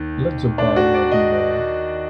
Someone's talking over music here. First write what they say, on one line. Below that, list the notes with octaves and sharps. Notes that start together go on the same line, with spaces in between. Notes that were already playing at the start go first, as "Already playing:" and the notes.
Let the buyer beware.
Already playing: D#2 D#3
D4
F#4
D5
D#5